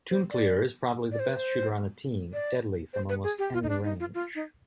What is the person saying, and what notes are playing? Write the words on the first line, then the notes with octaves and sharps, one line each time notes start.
Tuncluer is probably the best shooter on the team, deadly from almost any range.
C5
D5
D5
C5
B4
C5
D5
C5
B4
G#4
G4
F4
D#4
D4
D#4
F4
F4
D#4